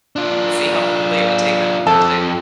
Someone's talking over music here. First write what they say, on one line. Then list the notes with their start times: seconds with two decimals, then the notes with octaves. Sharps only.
and see how quickly it would take them to say
0.16 D4 F4
1.87 F2 A4